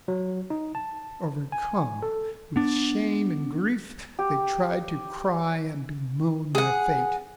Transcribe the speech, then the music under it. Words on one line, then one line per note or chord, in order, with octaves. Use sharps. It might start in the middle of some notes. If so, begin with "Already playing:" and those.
Overcome with shame and grief, they tried to cry and bemoan their fate.
F#3
D#4
A5
G#5
A4
B3 D4
G4
G#4 F#5